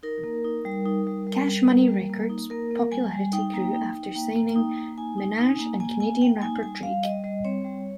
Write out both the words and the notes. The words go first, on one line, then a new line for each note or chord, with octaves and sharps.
Cash Money Records popularity grew after signing Minaj and Canadian rapper Drake.
D#4 A#4
A#3
D#4
G3
D#4
G3
G3
G3
A#3
G3
A#3
D#4
A#3 A#4
A#3
G3 G#5
G3
D#4 G5
A#3
D#4
D#4
A#3 G5
A#3
D#4
A#3
D#4 G#5
D#4
D#4
A#3
A#3 G#5
A#3 G#5
A#3 G5
D#4 G#5
G3 G#5
G3 F5
G3 D#5
G3 D#5
C4 C#5
G3